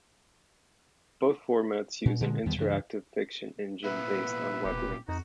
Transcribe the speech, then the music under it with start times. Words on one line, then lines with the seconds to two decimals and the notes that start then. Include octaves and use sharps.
Both formats use an interactive fiction engine based on weblinks.
2.05 A#2
2.20 A#2 D3 G#3
2.46 E2 D#3 G3 B3
2.58 C#2 G2 E3 D4
3.84 A#2 B3 E4 B4 E5
4.64 E1 G4
5.08 F2 D#4 F#4